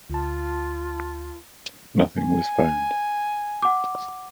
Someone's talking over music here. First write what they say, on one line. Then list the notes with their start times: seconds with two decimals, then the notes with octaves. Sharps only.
Nothing was found.
0.10 D2 F4 A5
2.18 G#5
3.62 F#5 D6